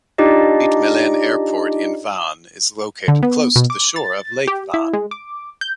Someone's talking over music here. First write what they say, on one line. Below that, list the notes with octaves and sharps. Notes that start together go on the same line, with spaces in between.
Ferit Melen Airport in Van is located close to the shore of Lake Van.
D4 D#4 F4 G4 D5 D#5
D3
B3
B2
D6
A6
G4
E4
G#3
D6
G6